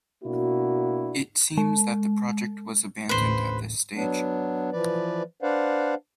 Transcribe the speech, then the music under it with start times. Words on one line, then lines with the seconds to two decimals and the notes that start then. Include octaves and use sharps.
It seems that the project was abandoned at this stage.
0.24 B2 A#3 D4 E4 F#4
1.57 G#3
3.09 A1 D#2 D3 B4 C5
3.95 F#3 B3 D4
4.72 E3 F3 B4 D5
5.42 D4 B4 C5 D5 F5 F#5